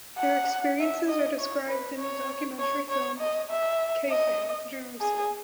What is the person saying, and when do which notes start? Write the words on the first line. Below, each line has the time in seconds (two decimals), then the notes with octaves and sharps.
Their experiences are described in the documentary film, "Kaifeng, Jerusalem".
0.18 F#5
0.79 E5
1.08 D#5
1.39 C#5
1.69 B4
1.99 C#5
2.59 C#5
2.90 C#5
3.19 D#5
3.50 E5
4.10 D#5
5.01 G#4